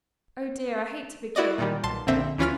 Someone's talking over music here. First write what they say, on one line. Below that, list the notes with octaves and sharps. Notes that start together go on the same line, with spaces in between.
Oh, dear, I hate to begin.
E4 F#4 D5 D#5
A#2 D#3 G3
B1 A#2 A5 C6
A#1 F2 D3 C4 E5
D2 E3 C#4 F4 B5 F6